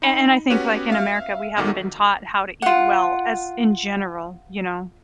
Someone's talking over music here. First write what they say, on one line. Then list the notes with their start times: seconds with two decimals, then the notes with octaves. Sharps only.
And and I think like in America, we haven't been taught how to eat well as in general, you know.
0.02 D#4 B5
0.50 B3 C#4 F#4 G4 B4 C#5
0.90 E5 F5 F6
1.57 A1 E2 D#3 F#4 A4 D6
2.62 F4 F#5